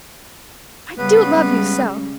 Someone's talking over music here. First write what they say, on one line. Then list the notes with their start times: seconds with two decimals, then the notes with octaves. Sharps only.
I do love you so!
0.98 C#3 G3 G#3 B3 B4